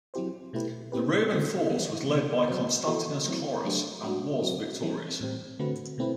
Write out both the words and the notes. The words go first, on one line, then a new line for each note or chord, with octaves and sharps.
The Roman force was led by Constantius Chlorus, and was victorious.
F#3 C4 E4 G4 C5
B2 A3 E4 G4 B4
A3 C4 E4 G4 B4
D3 A3 C4 F#4
E3 G3 B3
C3 E3 B3
F#3 C4 F#4 C5
E3 B3 F#4 A4
F#3 A3 C4 E4
F#3 A3 D4 G4
G3 D4 F#4
F#3 C4 F#4
E3 G3 C4 E4 A4
A2 G3 C4 G4
D3 A3 C4 F#4 B4
B2 A3 C4 E4 B4